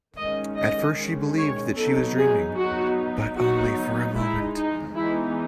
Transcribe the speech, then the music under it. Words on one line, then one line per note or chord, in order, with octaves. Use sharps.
At first she believed that she was dreaming, but only for a moment.
D#3 G#3 C#4 D#5
D#5
D#3 G#3 C#4
C#5
F#3 B3 D#4 A4
G#4
F#3 B3 D#4 F#4
F#3 B3 D#4 F#4
G#3 D#4 E4
D#4
E3 G#3 B3 D#4 E4